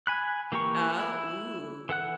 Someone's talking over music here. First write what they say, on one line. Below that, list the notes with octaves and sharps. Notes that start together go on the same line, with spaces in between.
Oh Ooh.
G#5 B5 F#6
E3 A#3 G4 A#4 C#6
E4
E3 A4 F#5 F#6